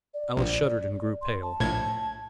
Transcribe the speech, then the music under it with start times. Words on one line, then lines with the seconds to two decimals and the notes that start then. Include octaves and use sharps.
Alice shuddered and grew pale.
0.14 D5
0.37 A#1
1.21 C6
1.42 A5
1.60 A#1 A2 G#6